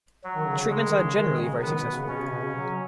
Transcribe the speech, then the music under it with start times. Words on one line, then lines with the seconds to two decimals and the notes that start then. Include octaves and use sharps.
Treatments are generally very successful.
0.24 F#3
0.35 D#3
0.46 C#3
0.59 C#3
0.70 C#3 G#3
0.86 D#3
1.01 C#3
1.16 D#3
1.39 C#3
1.54 F#3
1.62 D#3 B3
1.78 B2
1.93 C#3
2.08 B2 C#4
2.20 C#3
2.31 B2
2.43 C#3
2.55 F#3